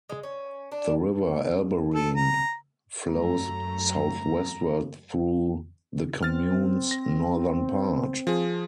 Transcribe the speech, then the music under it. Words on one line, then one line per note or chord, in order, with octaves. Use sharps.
The river Albarine flows southwestward through the commune's northern part.
G#3
C#4
D4
A4
A#5
F#2 F#3 A3 A#5
C4 F6 A6
A#6
F3 G#4